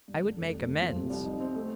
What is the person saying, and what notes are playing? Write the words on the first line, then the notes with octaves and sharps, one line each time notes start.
I would make amends.
G2
D3
F1
F1
A3
F3
C3
C2
D#4
C4
A3